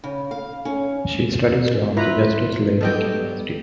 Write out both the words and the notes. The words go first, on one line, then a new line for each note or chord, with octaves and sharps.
She studies law at the Justus Liebig University.
C#3
F5
C#4
E4 F4 B4 A#5
F#3 B3 G4 A4 D#5 G5